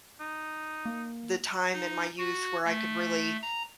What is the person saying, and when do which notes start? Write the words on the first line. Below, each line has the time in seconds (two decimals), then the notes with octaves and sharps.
the time in my youth where I could really,
0.20 D#4
0.85 A#3
1.73 D#4
2.18 F#4
2.64 A3
3.42 A#5